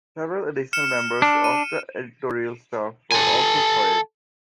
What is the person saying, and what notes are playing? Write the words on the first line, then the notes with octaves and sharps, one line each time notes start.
Several additional members of the editorial staff were also fired.
F6 C#7 E7
D4
D#7
A4 G#5